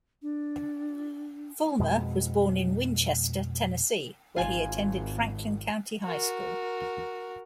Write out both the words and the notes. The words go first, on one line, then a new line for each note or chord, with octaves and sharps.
Fulmer was born in Winchester, Tennessee, where he attended Franklin County High School.
D4
F2 B2 G#3
G#1 F4 G#5
F#4 A#4